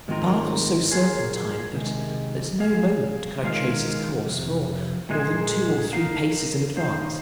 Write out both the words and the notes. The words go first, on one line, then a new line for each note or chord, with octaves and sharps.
The path was so serpentine, that at no moment could I trace its course for more than two or three paces in advance.
G#2 D#3 C4 F4 A#4
A#3 F4 G#4
C3 D#3 G#3
A#3 G#4 F5
D#3 G#3 F4 A#4 F5
F2 C3
A#2 G#3 D#4 G#4 C5
A#3 D#4 A#4 F5
D#3 A#3 D#4 C5 F5